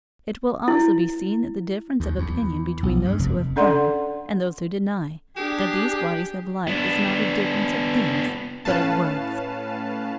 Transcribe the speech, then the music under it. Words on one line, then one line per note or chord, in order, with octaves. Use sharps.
It will also be seen that the difference of opinion between those who affirm, and those who deny, that these bodies have life, is not a difference of things but of words.
E4
D#2
E2
B1
G2
F1
C#4 D4 A4 D5 F#5 C6
D4 G4 G#4
B3 D4
A2 C#4 B4 F5 A5